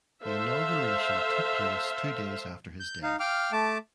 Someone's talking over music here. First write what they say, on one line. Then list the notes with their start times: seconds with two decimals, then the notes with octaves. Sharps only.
The inauguration took place two days after his death.
0.23 A4 C5 E5 F5
2.80 G6
3.03 D#4 F5
3.20 F5 G5 D6 F6
3.52 A3 A5 D6